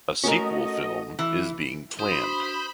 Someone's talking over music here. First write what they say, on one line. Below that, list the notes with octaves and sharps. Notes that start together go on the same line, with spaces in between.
A sequel film is being planned.
A3 C#4 F#4 A#4 D#5
E3
D4 F#4 C5 B5 D#6